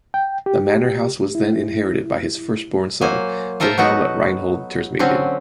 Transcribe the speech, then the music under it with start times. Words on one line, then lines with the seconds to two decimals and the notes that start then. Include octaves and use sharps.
The manor house was then inherited by his firstborn son Wilhelm Reinhold Tersmeden.
0.14 G5
0.46 G4
1.35 E4
3.01 F#3 A#3 C5 G#5
3.60 F4 A4 A#4 C5 E5
3.78 F#3 B3 D#4 F#4
4.99 D3 F#3 C4 C#4